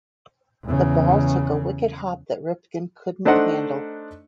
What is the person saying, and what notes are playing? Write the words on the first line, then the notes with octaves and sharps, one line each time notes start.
The ball took a wicked hop that Ripken couldn't handle.
E2 C#3
A3 D4 D#4 C5 D#5 F#5